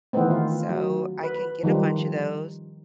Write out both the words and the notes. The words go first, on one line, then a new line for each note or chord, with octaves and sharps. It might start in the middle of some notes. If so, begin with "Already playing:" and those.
So, I can get a bunch of those,
D#3 E3 G#3 A3 B3 C4
F4
F#3
B4
D#3 F3 G3